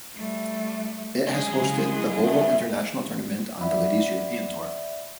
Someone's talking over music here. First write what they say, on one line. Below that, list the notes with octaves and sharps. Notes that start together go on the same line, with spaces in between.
It has hosted the Volvo International Tournament on the Ladies European Tour.
G3 A3
F#3 G#3 G#4
C#3 E4
G2 E5
D5 E5 F#5 B5